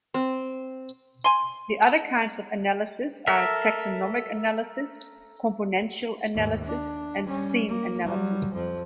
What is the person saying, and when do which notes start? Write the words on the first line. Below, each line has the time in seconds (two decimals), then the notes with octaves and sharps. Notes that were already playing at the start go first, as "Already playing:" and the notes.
The other kinds of analysis are taxonomic analysis, componential analysis, and theme analysis.
0.14 C4
1.24 G#5 C6
3.27 A4 A#4 E5
6.35 D#2 G#2
6.65 D4
7.26 G3 C#4
7.68 A#3
8.05 F#3 G3
8.53 F2 F3